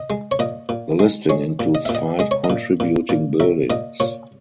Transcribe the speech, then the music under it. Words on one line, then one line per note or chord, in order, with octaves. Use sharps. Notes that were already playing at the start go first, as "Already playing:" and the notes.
The listing includes five contributing buildings.
Already playing: D#5
G#3
C#5
A#2 D#5
A#2
G#3
G#3 C#5
A#2
D#5
A#2 E5
D#5
G#3 D#5
C#5
D#5
A#2
A#2
A#2
F#3 E5
A#2 D#5
A#2 C#5